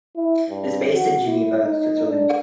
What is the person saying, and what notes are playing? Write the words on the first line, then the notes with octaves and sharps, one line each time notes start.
It is based in Geneva, Switzerland.
E4
G2
F#4
E4
D#4
D4